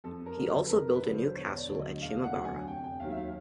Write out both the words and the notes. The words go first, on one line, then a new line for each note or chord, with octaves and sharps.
He also built a new castle at Shimabara.
F2 A4
A#4
D3 F#3
A4
B4
F2 A#4
B4
D3 F#3
C5
E1 C#5
D5
D2 D3 F#3
D#5
E1 F5
F#5
D2 D3 F#3
G#5
F1 G5
G5
D#2 D#3 F#3 F5
E5
F5